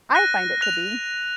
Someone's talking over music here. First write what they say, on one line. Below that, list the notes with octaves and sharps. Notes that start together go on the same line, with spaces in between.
I find it to be.
F#6 A#6 D#7
F#6 A#6 F7